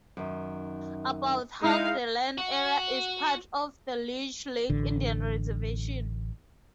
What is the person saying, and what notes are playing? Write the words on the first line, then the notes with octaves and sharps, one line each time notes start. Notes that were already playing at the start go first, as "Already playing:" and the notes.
About half the land area is part of the Leech Lake Indian Reservation.
F#2 D#3
G#3 D#4 E4 F5
F#4
A1 D3